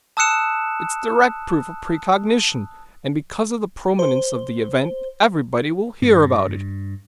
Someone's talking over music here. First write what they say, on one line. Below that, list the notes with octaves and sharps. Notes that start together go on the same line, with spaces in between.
It's direct proof of precognition, and because of the prominence of the event, everybody will hear about it.
A5 D#6 E6 F#6 C#7 E7
C5
G2